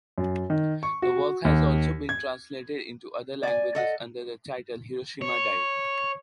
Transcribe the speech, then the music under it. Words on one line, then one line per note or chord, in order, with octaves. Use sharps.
The work has also been translated into other languages under the title “Hiroshima Diary”.
F#2
D#3
C#6
F#4
D#2
G#6
D5 G#5
A4 D#5 F#5
C#5